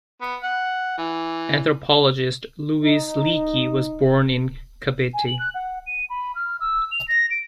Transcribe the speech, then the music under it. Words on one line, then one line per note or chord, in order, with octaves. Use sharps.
Anthropologist Louis Leakey was born in Kabete.
B3
F#5
E3
D#4
G#5
F#7
F#6
F#5
D#7
B5
F6
E6
F7
A#6
D7